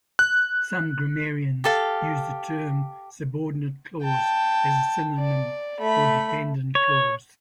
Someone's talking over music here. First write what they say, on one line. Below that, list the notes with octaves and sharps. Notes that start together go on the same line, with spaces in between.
Some grammarians use the term subordinate clause as a synonym for dependent clause.
F#6
G4 A4 F5
G5 A5
D5
A3 B5
C#5